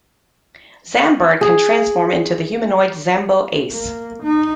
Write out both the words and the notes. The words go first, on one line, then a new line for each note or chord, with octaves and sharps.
Zambird can transform into the humanoid Zambo Ace.
G#4
A#3
D#4